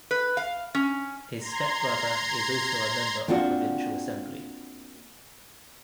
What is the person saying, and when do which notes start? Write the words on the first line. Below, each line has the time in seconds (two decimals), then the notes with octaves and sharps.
His step brother is also a member of provincial assembly.
0.11 B4
0.37 F5
0.75 C#4
1.38 A#5 C6 G#6
3.28 A#3 C4 D4 F4 F#4